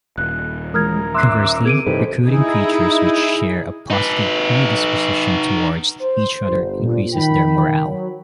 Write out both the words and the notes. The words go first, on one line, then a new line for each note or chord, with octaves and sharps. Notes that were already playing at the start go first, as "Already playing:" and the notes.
Conversely, recruiting creatures which share a positive predisposition towards each other increases their morale.
D#1 F#6
E3 G#3 A#4 D#6 F6 G#6
E5 C6 D6 E6 F#6 C7
C4 G#4 D6 G#6 D7 D#7
G2 C3 E3 D#4 G4 A4 B4 C5
D#4 E4 G#4
D#4 B4
C5
G1
A#2
D#3 G5 B5
F#3